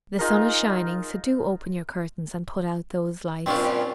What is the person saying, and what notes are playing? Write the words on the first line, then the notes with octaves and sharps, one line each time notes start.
The sun is shining; so do open your curtains and put out those lights.
D#4 F4 G#4 A#4
G2 A#2 C4 C#4 F4